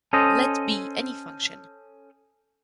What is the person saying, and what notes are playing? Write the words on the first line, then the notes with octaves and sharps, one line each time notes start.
Let be any function.
C#4 A4 C5 D#5